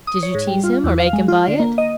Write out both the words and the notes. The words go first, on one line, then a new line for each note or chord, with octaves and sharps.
"Did you tease him, or make him buy it?"
D#6
C#5
G#2
G3
F4
E2
F5
G#3
F4
D3
A#3
D#5